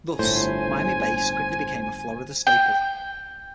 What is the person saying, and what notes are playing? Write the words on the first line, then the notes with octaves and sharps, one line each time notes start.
Thus, Miami bass quickly became a Florida staple.
G1 A2 C5 G#5
G5